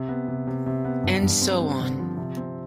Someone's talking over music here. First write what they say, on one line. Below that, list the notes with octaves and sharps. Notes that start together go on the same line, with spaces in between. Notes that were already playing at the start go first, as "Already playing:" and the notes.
And so on.
Already playing: C3
B3
C3
C3
C3
B3
G2
G2
C4
C4
D3
F3
C3
C4